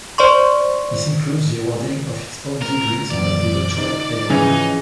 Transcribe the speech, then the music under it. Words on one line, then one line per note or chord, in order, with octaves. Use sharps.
This includes the awarding of its own degrees up to doctorate level.
C5 D5 C6 C#6
A#4
F#2 A#2 E3 D5
D#4
G#2 C#3 E3 F3 D#4